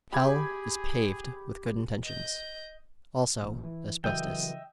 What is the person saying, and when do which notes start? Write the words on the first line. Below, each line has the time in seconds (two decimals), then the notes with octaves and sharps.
Hell is paved with good intentions--also asbestos.
0.13 G4 G#4 B5 G#6
2.03 D#5 G6
3.42 A1 A#2
3.64 E3
4.04 C#3 E3 F#3 D#5 E5 G5